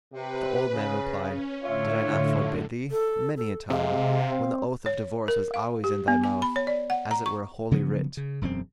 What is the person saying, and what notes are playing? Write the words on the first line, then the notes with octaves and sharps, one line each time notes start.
The old man replied, "Did I not forbid thee, many a time, when the oath of divorce was always in thy mouth, as it were Holy Writ?"
C3 B4
C#3
C#4
A2 D3 F4 C#5 E5
A4
A4
C3 G#3 F5
C4
C#5
A#4
F5
G4
B3
G#5
B5
C#5
D5
F#5
A#5
C#6
C#3 F3 F#3 B3
C#3
E1 F#2 A3 C4